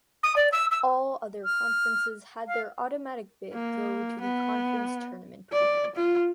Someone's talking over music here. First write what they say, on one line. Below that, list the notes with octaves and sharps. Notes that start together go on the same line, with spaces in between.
All other conferences had their automatic bid go to the conference tournament winner.
D#6
D5
E6
E6
F6
F5
A#3
B3
D5
F4